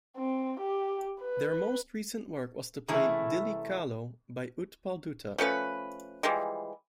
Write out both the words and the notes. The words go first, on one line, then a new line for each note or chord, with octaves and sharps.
Their most recent work was the play "Dilli Chalo" by Utpal Dutta.
C4
G4
B4
C3 E3 A3 C#4 E4 G#4
F3 A3 C#4 B4
E3 F3 G3 G#3